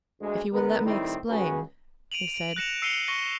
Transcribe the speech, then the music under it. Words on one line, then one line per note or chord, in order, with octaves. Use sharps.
"If you will let me explain," he said.
D2 G#3
D3 B3 A#4 B4
A2 D#3 G3 C4 E4
C#2 F#2 C#4 F#4 G#4 B4
D7 D#7 F7 F#7
D7
F#6 A#6 C#7 E7 F7
E6 C7 C#7 D#7 F7 G7
C#6 A#6 C#7 D#7 G7